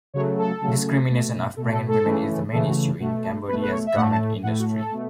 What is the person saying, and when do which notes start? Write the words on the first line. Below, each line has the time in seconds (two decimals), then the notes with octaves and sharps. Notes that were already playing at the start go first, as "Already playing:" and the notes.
Discrimination of pregnant women is the main issue in Cambodia's garment industry.
0.14 C#3 F#3 A3 C#5
0.38 A4
0.61 C#3 F#3 A3
1.09 B2 A3
1.57 B2 A3 A4
1.72 A4
1.88 A4
2.05 C#3 E3 A3
2.52 C#3 E3 A3 A4
2.68 F#4
3.00 B2 A3 F#4
3.24 A4
3.47 B2 B4
3.52 A3
3.61 B4
3.71 C#5
3.86 E5
3.95 A2 A3 F#5
4.12 A5
4.43 A2 A3 F#5
4.59 F#4
4.75 A4
4.91 B2 A3